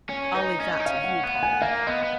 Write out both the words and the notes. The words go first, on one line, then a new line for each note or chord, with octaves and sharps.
"I'll leave that to you, Polly."
C#4 C#5
D#4 B4
C#4 D#5
D#4
C#4 F5
F#5
B3 F#5
G#5
A#3 F5
B3 D#5
B3